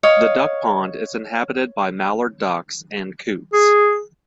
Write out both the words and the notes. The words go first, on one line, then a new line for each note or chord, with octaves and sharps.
The duck pond is inhabited by mallard ducks and coots.
C#5 D#5 F5
G#4